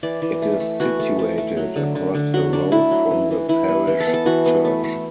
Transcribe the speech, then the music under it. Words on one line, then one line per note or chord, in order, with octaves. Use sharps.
It is situated across the road from the parish church.
E3 D5
E3
A3
A3
E3 F#4
A3
A3
A3
F#3
D3
D3
D3
F#3 F#4
D3 D4
A3 E4
F#3
E3
E3
E3 E4
B3
E3
A4
B3
A4
E3 F#4
B3
A3
A3